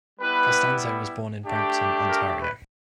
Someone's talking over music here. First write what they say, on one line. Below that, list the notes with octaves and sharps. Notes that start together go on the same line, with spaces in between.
Costanzo was born in Brampton, Ontario.
G3 B3 E4 B4
A3 D4 G4
A#4
B4